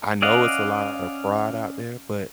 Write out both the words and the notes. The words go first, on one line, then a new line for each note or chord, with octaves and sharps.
I know it's a lot of fraud out there, but
C#4 D5 D#5 F5 F#5